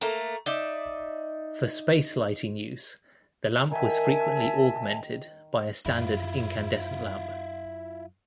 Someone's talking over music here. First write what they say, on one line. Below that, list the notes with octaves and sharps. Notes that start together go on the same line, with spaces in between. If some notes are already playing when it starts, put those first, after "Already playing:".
For space lighting use, the lamp was frequently augmented by a standard incandescent lamp.
A3 A#3 A#5
D#4 D5 E5
D#3 E5 G#5 A5
F#2 E4 F4